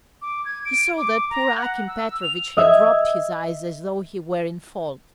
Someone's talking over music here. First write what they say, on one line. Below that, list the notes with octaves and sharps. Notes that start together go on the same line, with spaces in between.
He saw that poor Akim Petrovitch had dropped his eyes as though he were in fault.
D6
G#6
D7
D6
A#5
F#5
E6
F7
D#5 E5 G#6